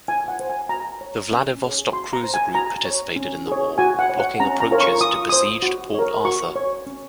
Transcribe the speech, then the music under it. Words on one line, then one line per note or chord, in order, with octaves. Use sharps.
The Vladivostok Cruiser Group participated in the war, blocking approaches to besieged Port-Arthur.
F4 G#5
F#5
C5
G#5
F#4 A#5
C#5
C#4
G#4 C#5
F#4 C6
A#5
C5
G#5
F#4 A#5
C#5
C#4
G#4 C#5
F#4 G#5
F#5
C#5
F#5
C#4 A#5
A#5
F4 A#4 C#5
C#6
F4 D#6
C5 D#6
F#4
A#4 C#5
F#4 C#6
C#5
C#4